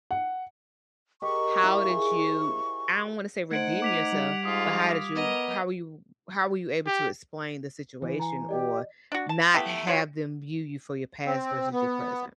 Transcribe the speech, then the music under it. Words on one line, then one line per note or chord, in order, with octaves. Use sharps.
how did you I don't wanna say redeem yourself, but how did you how were you how were you able to explain the situation or not have them view you for your past versus your present?
F#5
G4 A#4 D#5 C#6
E4 F4 E5
G#4 C5
A3 D#4 C5 F#5 G#6 D7 F#7
D6 B6 F7
G3 G4
G#2 F4 D#6
B3 A#4 D#5
G4
E3
G#5 A#5
G4 D5 D#5
D4 F#4
A5
A3 B3 E4 G4
F4 F#4 C#5
C4
B3